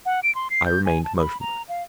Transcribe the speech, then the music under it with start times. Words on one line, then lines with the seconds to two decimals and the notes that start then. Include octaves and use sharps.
I remained motionless.
0.06 F#5
0.23 D7
0.35 C6
0.50 C7
0.66 G6
0.86 G#5
1.04 A5
1.19 B5
1.41 A#5
1.69 F5